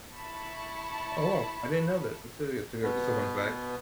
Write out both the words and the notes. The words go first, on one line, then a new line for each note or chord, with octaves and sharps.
Oh, well, I didn't know that, that's a that's a good that's a fun fact.
E4 A5 B5 C#6
B2 B3